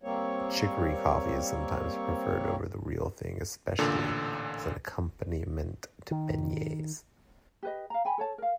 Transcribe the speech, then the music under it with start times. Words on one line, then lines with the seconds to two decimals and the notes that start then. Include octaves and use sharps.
Chicory coffee is sometimes preferred over the real thing-especially as an accompaniment to beignets.
0.03 G3 A#3 C4 C#5
3.79 A1 A#2 D3 A4
6.11 D#3
7.63 G4 B4 D#5
7.90 F5 A#5
8.05 G5 G#5 B5
8.18 A4 C#5 A5
8.38 A#4 F5